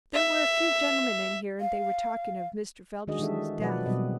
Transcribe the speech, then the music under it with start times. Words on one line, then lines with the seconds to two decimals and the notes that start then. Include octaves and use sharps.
There were a few gentlemen in here and they were talking of Mr. Felderson's death.
0.14 E5
1.60 F5
3.07 D#3 G#3 D4 F#4 G#4 D#5
3.19 E3 G#3 D4 G4 A4 E5
3.60 B2 F3 F#3 B4 D5 F#5
3.86 B2 F#3 G3 C4 D#5